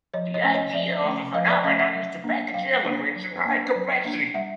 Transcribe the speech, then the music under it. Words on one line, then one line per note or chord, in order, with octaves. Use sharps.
The idea of a Phenomenon is to package elements and hide complexity.
F3 C#5 D#5
C#5 D#5
A3 C#4
C#5 D#5
F3 D5 E5
A3 C#4
F3 D#5 F5
D5 E5
A3 C#4 D#5 F5
E5 F#5
F#3
A#3 D4
F#3 F5 G5
A#3 D4
F#3
A#3 D4
F#3
A#3 D4
G3 E5 F#5